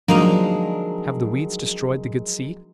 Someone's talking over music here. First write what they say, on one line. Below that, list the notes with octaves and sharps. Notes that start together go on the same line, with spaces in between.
"Have the weeds destroyed the good seed?"
F3 F#3 G#3 A#3 D4 D#4 A#4 F5